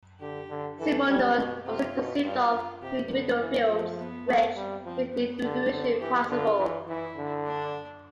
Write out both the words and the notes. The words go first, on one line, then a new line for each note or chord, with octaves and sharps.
Simondon also conceived of "pre-individual fields" which make individuation possible.
D3 G4
D3
E3 A4
G3 G4
B2
C3 F4
B2
G2 F4
C3 G4
D3 B3
E3
F3 A3
B3
A3
G3 C4
F3 C4
B3
D3 G4
D3
E3 G4
D3 F4
E3
E3 E4
D3
D4